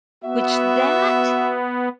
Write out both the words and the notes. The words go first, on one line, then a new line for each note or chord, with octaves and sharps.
which that
B3 F#4 E5